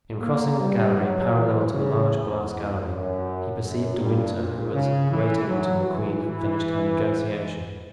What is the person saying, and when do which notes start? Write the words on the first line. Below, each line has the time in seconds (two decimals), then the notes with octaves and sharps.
In crossing the gallery parallel to the large glass gallery, he perceived De Winter, who was waiting until the queen had finished her negotiation.
0.22 A#3
0.59 G3
0.97 F#3
1.34 E3
1.72 C#3
2.09 E2
2.85 F#2
3.60 F#2
3.98 G2
4.35 A#2
4.73 C#3
5.10 E3
5.48 F#3
5.85 E3
6.23 E3